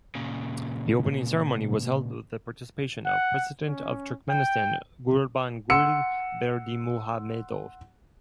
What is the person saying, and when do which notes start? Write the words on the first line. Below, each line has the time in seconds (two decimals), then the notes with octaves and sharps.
The opening ceremony was held with the participation of President of Turkmenistan Gurbanguly Berdimuhamedov.
0.15 A#2 C#3
3.06 F#5
3.67 C#4
4.29 G5
5.70 F#5 C6 E6 C#7